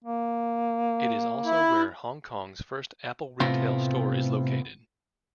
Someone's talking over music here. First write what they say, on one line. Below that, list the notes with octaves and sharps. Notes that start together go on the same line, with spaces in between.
It is also where Hong Kong's first Apple retail store is located.
A#3
E4
A2 C3 A3 B3 C4 F4